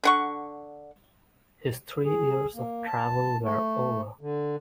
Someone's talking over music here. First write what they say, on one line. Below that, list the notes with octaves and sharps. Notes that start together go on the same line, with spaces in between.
His three years of travel were over.
D3 F#5 C#6
G#4
A#3
A5
A3
D3